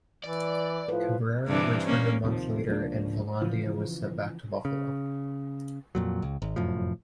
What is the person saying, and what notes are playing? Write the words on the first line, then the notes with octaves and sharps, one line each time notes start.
Cabrera returned a month later, and Velandia was sent back to Buffalo.
E3 D5
A2 F3 B4
G2 C3 E3
A#3 C#4
D#2 C3 D#3 F3
C#2 F3 A#3 D4
C#3 E3 F3
C#3
F2 A#2 F#3
C#2
G#1
F1 F#2 A2 F3